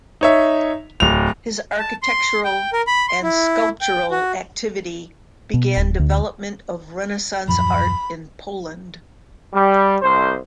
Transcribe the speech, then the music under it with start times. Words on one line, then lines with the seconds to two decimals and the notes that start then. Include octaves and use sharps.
His architectural and sculptural activity began development of renaissance art in Poland.
0.21 D#4 C#5 E5
1.00 D1 F7
1.78 A5
2.03 C6
2.45 G5
2.73 A#4
2.87 B5
3.08 C6
3.23 E4
3.81 G5
4.11 F#4
5.54 B2
5.77 D1
5.99 D2
7.48 D#1 F#2 F3 B5
9.54 G3
10.02 C2 C5